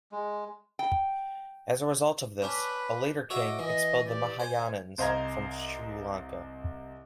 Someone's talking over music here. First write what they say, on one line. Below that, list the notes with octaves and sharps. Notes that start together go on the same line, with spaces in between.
As a result of this, a later king expelled the Mahayanins from Sri Lanka.
G#3
G5
C#4 D4 B4
F#4 C#5 D#5 E5 D6
E3 D#5
G4 D5
C5 G#5
C2 C5 D#5 F5 A#5 G#6